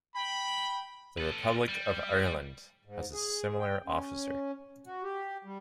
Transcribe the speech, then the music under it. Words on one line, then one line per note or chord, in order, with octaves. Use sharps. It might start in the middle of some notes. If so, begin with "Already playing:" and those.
The Republic of Ireland has a similar officer.
G5 B5
A4 B4
G3
G#2
G#4
G5
C#4
F#4
G4
G3